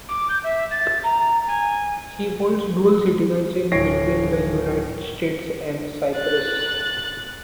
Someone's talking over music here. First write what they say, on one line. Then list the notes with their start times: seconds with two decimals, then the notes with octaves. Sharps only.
She holds dual citizenship between the United States and Cyprus.
0.08 D6
0.29 G6
0.43 E5
0.71 A6
1.03 A#5
1.47 G#5
3.72 D1 C#5 A#6 C7 D7
6.18 F#6 A6